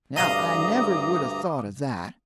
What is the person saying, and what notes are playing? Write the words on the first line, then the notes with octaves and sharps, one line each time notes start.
Now I never would 'a' thought of that.
D2 G2 D#5 F5 A#5 D6 D#6